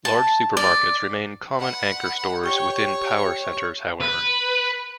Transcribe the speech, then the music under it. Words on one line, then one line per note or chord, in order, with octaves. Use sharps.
Large supermarkets remain common anchor stores within power centers however.
A5
D5
F#5 B5
G4 C#5 G5 C#6
B4